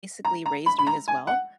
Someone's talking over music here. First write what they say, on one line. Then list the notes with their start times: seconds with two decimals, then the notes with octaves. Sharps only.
basically raised me as well,
0.25 A#5
0.46 A#5
0.66 B5
0.79 B5
0.87 A#5
1.08 G#5
1.27 F#5